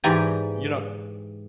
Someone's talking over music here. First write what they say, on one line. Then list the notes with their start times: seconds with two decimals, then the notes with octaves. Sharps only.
you know
0.04 G#2 E3 G4 D5 G#5 A#5